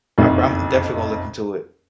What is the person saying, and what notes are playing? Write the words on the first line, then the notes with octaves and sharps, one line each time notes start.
I, from definitely gonna look into it.
F#1 B1 F2